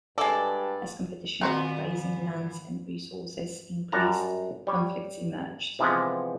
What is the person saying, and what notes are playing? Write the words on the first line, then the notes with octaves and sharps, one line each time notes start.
As competition for grazing lands and resources increased, conflicts emerged.
G2 G#3 A4 D5
A#2 D#3 B3 C4 F#4 C5 A#5 C6
F#2 G3 F#5 A5 A#5
G3 C#5
C3 E3 F3 G#3 B3